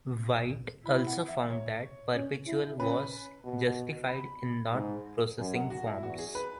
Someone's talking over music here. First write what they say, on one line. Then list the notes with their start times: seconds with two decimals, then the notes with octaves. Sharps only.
White also found that Perpetual was justified in not processing forms.
0.86 E4 B5
1.07 F#5
1.28 E5
1.50 C#5
2.14 C#4
2.47 E4
2.79 C#4 B4
3.45 B2
4.09 B5
4.74 G#2
5.39 F#2 G#5
5.54 F#5
5.70 F#4
5.87 E4
6.03 E2 F#4
6.19 G#4
6.35 B4